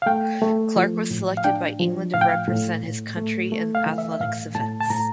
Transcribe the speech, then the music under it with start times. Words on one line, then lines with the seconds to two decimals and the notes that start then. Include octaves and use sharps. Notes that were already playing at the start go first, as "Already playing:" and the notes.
Clarke was selected by England to represent his country in Athletics events.
0.02 F5
0.06 A3 G5
0.42 A3
0.76 F3
1.11 A2
1.37 F5
1.44 D4 G5
1.80 F3
2.14 A2 F5
2.21 G5
2.29 F5
2.48 A2
2.83 A2
3.17 A3
3.52 A3
3.75 F5
3.86 E3
3.98 E5
4.12 E5
4.20 A2 F5
4.55 A2 A5
4.80 A5
4.90 A2 A#5